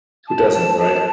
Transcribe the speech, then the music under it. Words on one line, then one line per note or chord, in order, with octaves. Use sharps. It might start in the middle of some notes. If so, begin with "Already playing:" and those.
Who doesn't, right?
A5
A5
A5